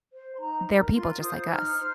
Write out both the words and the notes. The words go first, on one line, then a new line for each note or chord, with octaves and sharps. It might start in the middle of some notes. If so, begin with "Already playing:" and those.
there're people just like us.
C5
C6
D#4 A#5
A#4
F4 C6
C5 D#6
D#4 F6
C5